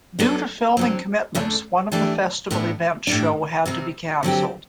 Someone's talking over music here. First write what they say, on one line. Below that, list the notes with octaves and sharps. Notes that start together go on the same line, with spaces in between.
Due to filming commitments one of the festival events show had to be canceled.
F#3 B3 D4 A4
D3 F#3 C4
E2 D3 A3 D4
E3 A3 D4 G4 D5
A2 E3 B3 D4
A2 G3 D4
C3 G3 C4
D3 F#3 C4 G4